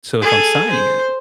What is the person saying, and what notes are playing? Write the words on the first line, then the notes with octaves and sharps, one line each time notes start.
So, if I'm signing it,
G#4 A4
C5